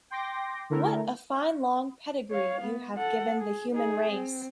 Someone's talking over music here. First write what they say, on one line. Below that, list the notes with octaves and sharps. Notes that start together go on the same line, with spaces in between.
What a fine long pedigree you have given the Human Race!
G5 C6 D6 A#6
D3 A3 E4 A#4
C#5 F5
B3
A4 F#5
G#4
D#4 G#4
C4